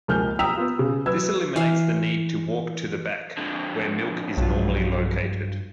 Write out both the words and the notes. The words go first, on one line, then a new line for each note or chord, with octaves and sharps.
This eliminates the need to walk to the back, where milk is normally located.
C#2 F3 A#3 G#5 F6 G6
G5 A#5 D#6 E6 B6 F7
B3 F4
C#3
F#3 B4 E6 G#6
E3 F5
F2 D3
B1 G2 F#3 F4 A5